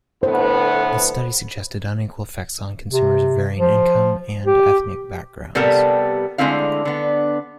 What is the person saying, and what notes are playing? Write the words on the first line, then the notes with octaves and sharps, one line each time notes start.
The study suggested unequal effects on consumers of varying income and ethnic backgrounds.
A2 D3 B3 C5
C3
F3
G4
C3 G3 B3 A4 A#4 A5
D3 G#3 A3 C4 E4 F5
D3 B3